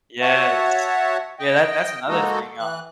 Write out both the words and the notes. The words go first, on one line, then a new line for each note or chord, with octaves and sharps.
Yes, yeah, that that's another thing, uh,
F#4 C#5 E5 F#5 A5
D#5 G5
G#3 A#3 D#4 F#4 A4 D#5
E3 F#6